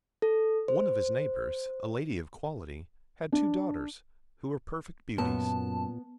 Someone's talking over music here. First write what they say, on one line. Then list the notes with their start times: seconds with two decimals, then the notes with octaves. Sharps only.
One of his neighbours, a lady of quality, had two daughters who were perfect beauties.
0.22 A4
0.68 C5
3.32 D4
5.18 F#2 A#2 B3 A5